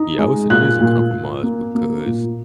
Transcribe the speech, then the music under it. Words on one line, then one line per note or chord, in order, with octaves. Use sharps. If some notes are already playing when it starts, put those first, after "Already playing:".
Yeah, I would say it is a compromise because,
Already playing: D#4
G#3
A#2 F#6
A#2
A#2
A#3
A#3
A#2